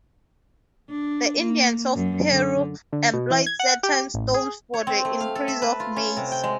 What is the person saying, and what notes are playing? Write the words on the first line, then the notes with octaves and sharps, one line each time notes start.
The Indians of Peru employed certain stones for the increase of maize.
D4
A#3
F#2
D3
D3
B2
E3
G#6
F#5
G4
A1
G#4
C#5
C4
A3
F5
A4
E5
B4
F4
C#4
C3
G5
G#3